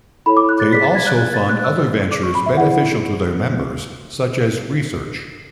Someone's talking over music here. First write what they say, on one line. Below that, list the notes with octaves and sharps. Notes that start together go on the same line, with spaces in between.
They also fund other ventures beneficial to their members such as research.
E4 A4 C#5 B5
D6
F#6
A6
G#4 D5 B6
A6
G#6
F#6
G#4 D5 G#6
A6
F#6
G#4 D5 E6
G#4 D5 D6
C#6
B5
E5
E4 G#4 D5 F#5